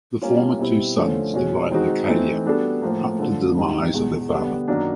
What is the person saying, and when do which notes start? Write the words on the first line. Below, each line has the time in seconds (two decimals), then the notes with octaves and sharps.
The former two sons divided Arcadia after the demise of their father.
0.22 G3 A#3 C#4 F4
0.59 B2 G3 C4 E4
0.97 D3 F3 A3 C#4
1.33 B2 G#3 C#4 F#4
1.71 D#3 G#3 C4 D#4 F#4
2.08 E3 A3 C4 D#4
2.45 G3 B3 D4 F#4 A4
2.82 A2 F3 A#3
3.19 D3 F3 A3
3.57 G#2 D#3 G3
3.94 E2 B2 G#3
4.31 D3 G3 B3 D4
4.68 F#2 D#3 F#3 A#3 D4